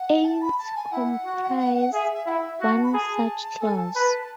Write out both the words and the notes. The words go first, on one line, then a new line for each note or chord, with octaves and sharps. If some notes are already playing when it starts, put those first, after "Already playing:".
Ants comprise one such class.
Already playing: F#5
A5
B5
A5
G#5
E4 F#5
F#4
G#4 E5
E4 F#5
E5
F#4 F#5
A5
B5
G#4 A5
A4 G#5
A5
B4 A5 B5